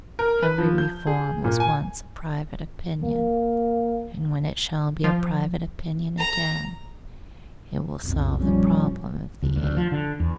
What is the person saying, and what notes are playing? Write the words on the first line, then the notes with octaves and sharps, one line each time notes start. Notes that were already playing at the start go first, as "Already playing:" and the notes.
Every reform was once a private opinion, and when it shall be a private opinion again it will solve the problem of the age.
A#4
B4
F3
G6
G#4
A#2
G#5
A#3
F3
A#5
B1 F2
A#1 F3 G3 C#4
C#2
D2
F3
D3
E2